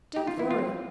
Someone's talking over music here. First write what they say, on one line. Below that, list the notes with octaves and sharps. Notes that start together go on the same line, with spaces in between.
Don't worry!
A3 G4
F4
E3 E4
F4
C4